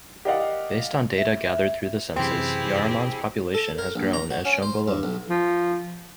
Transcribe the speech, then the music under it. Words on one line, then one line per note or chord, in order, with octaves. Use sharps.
Based on data gathered through the census, Yarraman's population has grown as shown below.
G4 A#4 D5 D#5 F5 F#5
E5
F#2 C3 E3 C4 E4 G4 G#4
A4
A#4
A#1
A#5
F#4
C#4
C5
G2
B1
F3